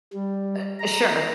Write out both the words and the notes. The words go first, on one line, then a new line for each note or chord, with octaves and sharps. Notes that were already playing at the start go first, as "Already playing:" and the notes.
Eh sure.
G3
A#5